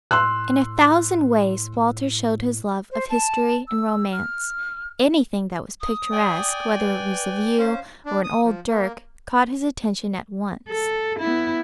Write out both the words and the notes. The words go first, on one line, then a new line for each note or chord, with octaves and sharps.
In a thousand ways Walter showed his love of history and romance. Anything that was picturesque, whether it was a view or an old dirk, caught his attention at once.
A2 C6 E6 F#6
C5
A5
E6
F6
D#6
D5 G5 G#5
B4
C#4 C5 F5
D4
D#6
F3
A#3
A4
B3 E4